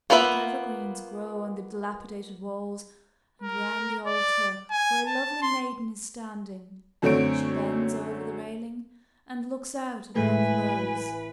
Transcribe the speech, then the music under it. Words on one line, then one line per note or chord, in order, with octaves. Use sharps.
Thick evergreens grow on the dilapidated walls, and around the altar, where a lovely maiden is standing: she bends over the railing and looks out upon the rose.
A#3 B3 F4 B4 E5
A#4
D5
G#5
A5
C6
F#2 D3 A3 C4 C#5 D7
A1 A2 G#3 A3 B4 G#5